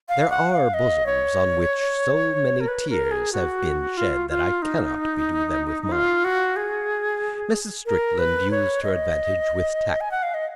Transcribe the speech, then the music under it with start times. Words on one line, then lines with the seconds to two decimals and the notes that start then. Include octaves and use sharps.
There are bosoms on which so many tears have been shed that I cannot bedew them with mine. Mrs. Strickland used her advantage with tact.
0.09 F5
0.30 F#5
0.53 F5
0.74 D#5
1.06 C#5
2.60 A#4
2.68 B4
2.90 A#4
3.11 G#4
3.33 F#4
3.97 F4
4.30 F4
4.62 D#4
5.92 F4
6.25 F#4
6.56 G#4
7.86 A#4
8.18 B4
8.51 C#5
8.83 D#5
10.01 G#5
10.11 F#5
10.23 F5
10.34 D#5